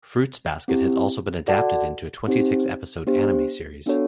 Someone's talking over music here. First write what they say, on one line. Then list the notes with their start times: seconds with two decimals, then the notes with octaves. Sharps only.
"Fruits Basket" has also been adapted into a twenty-six-episode anime series.
0.68 C4 E4 G4
1.48 F#4 A4 D5 F#5 A5
2.27 C4 D#4 G4 C5
3.07 B3 D4 G4 C5
3.86 B3 D4 F#4 A4 C#5